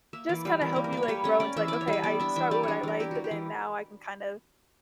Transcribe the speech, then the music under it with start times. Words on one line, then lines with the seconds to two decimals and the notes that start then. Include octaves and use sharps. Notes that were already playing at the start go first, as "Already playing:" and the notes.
just kinda help you, like, grow into, like, "Okay. I start with what I like, but then now I can kinda,
0.13 A#3 E5
0.29 E3 D5
0.45 G3 B4
0.61 E3 A#4
0.73 A#3 G4
0.84 A#4
0.93 A#3 B4
1.03 C#5
1.08 G3 B4
1.24 C#4 C#5
1.40 C#4 D5
1.56 E3 E5
1.68 E4 D5
1.81 C#5
1.88 G3
1.93 B4
2.04 B3 D5
2.20 D4 E5
2.36 E3 E5
2.51 G3 D5
2.63 D4 C#5
2.83 E3 A#4
3.00 E4 G4
3.11 E3 F#4
3.24 G4
3.31 E3